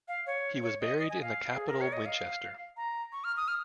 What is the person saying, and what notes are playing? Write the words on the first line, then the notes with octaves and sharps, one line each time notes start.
He was buried in the capital Winchester.
F5
C#5
C#5
D#5
D#5
G#5
F5
G#4
A#4
C#5
D#5
F5
A#5
C#6
F6
D#6
F6